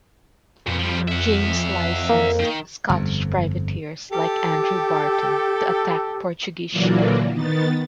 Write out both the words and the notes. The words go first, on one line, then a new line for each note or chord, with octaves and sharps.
James licensed Scottish privateers like Andrew Barton to attack Portuguese shipping.
F2 A#2 B3
F3 G3
E5 F#5
A#3
D#3
G1 F2
G4 A4
A#2 D3 E3 F#3 A#3 D4
D#3 B3 A6